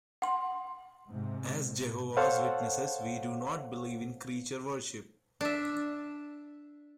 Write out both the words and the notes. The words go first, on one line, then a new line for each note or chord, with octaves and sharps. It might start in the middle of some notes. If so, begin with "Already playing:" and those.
As Jehovah's Witnesses we do not believe in creature worship...
F#5 C6
G#2 C3
A4 C5 C#5 F5 F#5
D4 E5